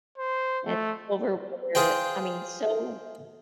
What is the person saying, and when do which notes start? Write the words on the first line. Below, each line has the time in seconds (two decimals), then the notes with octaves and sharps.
and silverware I mean, so,
0.18 C5
0.66 A3
1.75 F4 G#4 C5 G5